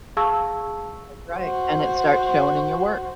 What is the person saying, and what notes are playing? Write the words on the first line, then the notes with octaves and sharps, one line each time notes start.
That's right, and it starts showing in your work.
G#4 F5 A5 C#6 E6 G#6
F#4 C5